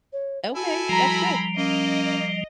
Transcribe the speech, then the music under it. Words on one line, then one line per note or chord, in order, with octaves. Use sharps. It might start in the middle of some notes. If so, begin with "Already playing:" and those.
Okay, that's good.
C#5
E4 F#4 A4 G#5
F3 G3 A#5 B5
A#3 C#4 D#5